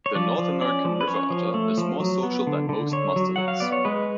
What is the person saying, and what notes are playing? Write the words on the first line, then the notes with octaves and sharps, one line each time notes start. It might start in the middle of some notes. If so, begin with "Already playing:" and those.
The North American river otter is more social than most mustelids.
C#5
F3 D5
F3
C#4 D5
F3
B4
C#4 C#5
F3
A3
F3
F#3
B3
D3
D3
D3 C#5
F#3
F#3 F#5
F5
B3 D5
C#5
G#3 B4